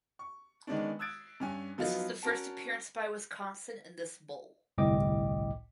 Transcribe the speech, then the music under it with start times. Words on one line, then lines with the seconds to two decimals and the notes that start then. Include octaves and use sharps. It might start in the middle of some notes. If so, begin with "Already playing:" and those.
This was the first appearance by Wisconsin in this bowl.
0.19 C#6
0.67 D#3 G#3 B3 C#4 D4
0.99 D#6 E6 F#6 G#6 A6 D7
1.40 G2 C#4 G#5
1.78 F3 F#3 B3 D#4 F4
2.23 C#4 F#4 A#4 A5
4.78 G1 C2 A2 D#5 G5 D6